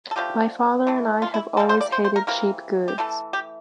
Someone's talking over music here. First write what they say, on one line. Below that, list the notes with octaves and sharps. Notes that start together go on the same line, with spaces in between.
My father and I have always hated cheap goods...
A4
D3 F3 A3 G4
E3 A3
F4
E4
E3 G3 A#3 A4
C5
D5
C5
C5
A#4
C3 E3 A#3 A#4
G4
E3 A3 A4
G4